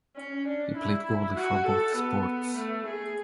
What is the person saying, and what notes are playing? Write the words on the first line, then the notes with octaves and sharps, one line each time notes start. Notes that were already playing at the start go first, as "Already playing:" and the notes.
He played goalie for both sports.
C#4
D4
E4
F#4
A4
B3
A3
G#4